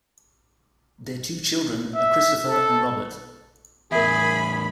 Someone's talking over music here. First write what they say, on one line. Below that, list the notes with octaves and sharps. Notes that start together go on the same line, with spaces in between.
Their two children are Christopher and Robert.
E5
A4
E2 A2 G#4 A#4 E5 B5